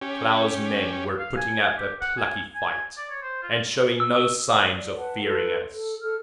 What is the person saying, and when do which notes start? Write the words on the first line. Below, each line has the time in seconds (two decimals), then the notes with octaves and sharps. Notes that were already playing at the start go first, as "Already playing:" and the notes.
Klow's men were putting up a plucky fight, and showing no signs of fearing us.
0.01 C#4 G4
1.19 F5
1.37 G#5
1.77 G4
2.01 F#5
2.17 G#5
2.55 G#5
2.97 D5
3.10 C#5
3.22 C5
3.43 F4
4.00 E6
4.74 D5
4.95 B4 F#5 A5
5.22 F4 A4 B4
5.71 A4
6.01 A4 F6